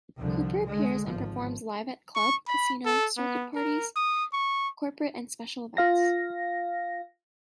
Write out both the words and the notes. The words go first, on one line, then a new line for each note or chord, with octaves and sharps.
Cooper appears and performs live at club, casino, circuit parties, corporate and special events.
C2 D3 F3
D3 G#3
G#1 F3
C#6
B5
A4
B3
A#4
D#6
C#6
F4 F5 A#6